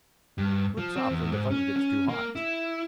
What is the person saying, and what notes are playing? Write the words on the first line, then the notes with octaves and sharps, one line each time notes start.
Slips off when the fun gets too hot.
G2
F3
C4
E2
G#2
C#4
C#4
A#3
E4